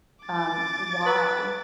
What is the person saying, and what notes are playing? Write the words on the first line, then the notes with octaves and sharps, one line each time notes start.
um, "Why?"
D6 A6
B4